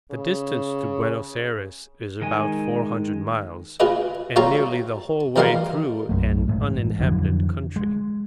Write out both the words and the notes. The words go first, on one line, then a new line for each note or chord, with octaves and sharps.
The distance to Buenos Ayres is about four hundred miles, and nearly the whole way through an uninhabited country.
C#3
D#3 G#3 G#5
F4 G#4 B4 D#5
G3 F4 A4 C#5 A#5 C6
E2 G3 A#4 D#5 F5 C6
B1 F#2 A3
A1 G#2
F2 D3 E3 F#3
G#3